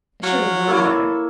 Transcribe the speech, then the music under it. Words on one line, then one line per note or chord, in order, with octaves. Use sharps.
I should have known better.
F#3 F5
A#3 E4 A4 C#5